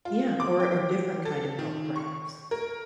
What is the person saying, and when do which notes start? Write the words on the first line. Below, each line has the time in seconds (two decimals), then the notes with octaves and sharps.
Yeah. Or or different kind of help perhaps.
0.05 F4
0.40 D6
0.60 G5
1.25 A4
1.59 D#3
1.96 C#6
2.51 A#4